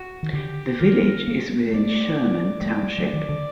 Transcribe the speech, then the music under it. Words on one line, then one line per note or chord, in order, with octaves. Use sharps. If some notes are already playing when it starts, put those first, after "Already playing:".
The village is within Sherman Township.
Already playing: F#4
D#3
D3 G4
D#3 A#4
G3
A#3
A3 D5
G3
A3 D5
G3
F#3
D#3
D3